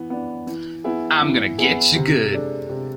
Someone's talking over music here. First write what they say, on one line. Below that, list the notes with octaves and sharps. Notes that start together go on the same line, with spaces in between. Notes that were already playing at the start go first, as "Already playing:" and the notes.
I'm Gonna Getcha Good!
Already playing: E3 B3
B3 D4
E3
B3 E4 G#4
E3
B3 E4 G#4
C3
G#3 D4 A4
C3